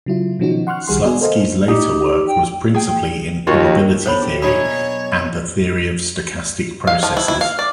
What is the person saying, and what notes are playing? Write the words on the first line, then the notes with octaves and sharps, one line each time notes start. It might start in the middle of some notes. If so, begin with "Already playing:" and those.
Slutsky's later work was principally in probability theory and the theory of stochastic processes.
C#3 F#3 E4 F4
B2 D#3 F3 C#4 D#4 F#4
F#5 C6 C#6 F6 F#6
C2 D#3 G3 G#4 F#5 C6
B3 F#4 G#5
A4 A#4 C5 D#5 F5
D#4 G4
G5
G#4 G5
D#2 F4 F#4 C#5
B3 A4 C5 C#5 B5
D4 E4 G4
B2 F#3 A#4 C#5 D#5 G#5 B5
F5
F3
E4
E4
F5
D5